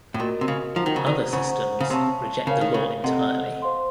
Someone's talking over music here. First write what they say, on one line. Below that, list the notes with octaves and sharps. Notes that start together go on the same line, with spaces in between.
Other systems reject the law entirely.
A2
A#2 F#4 A#4 D#5
C3
C#3
F3 D#4 F#4 C5 F#5 A#5
D#3
C#3
D#3
C#3 C5 F#5 A#5 C#6
C#3
C3 C#5 F5 A5 C#6
C#3 A#4 C#5 F5
D#3
C#3
C3 A4 D#5 F#5
C5 F5 C6